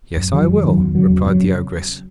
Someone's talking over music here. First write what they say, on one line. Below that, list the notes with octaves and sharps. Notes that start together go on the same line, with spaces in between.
'Yes, I will,' replied the ogress.
F#2
D#3 F#3
F#2
D#3 F#3
E2
C#3 F#3
E2
C#3 F#3